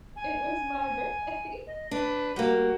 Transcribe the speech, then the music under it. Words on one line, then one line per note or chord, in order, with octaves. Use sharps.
It was my birthday.
G#5
D#5
D4 B4
G3 A#3 F#4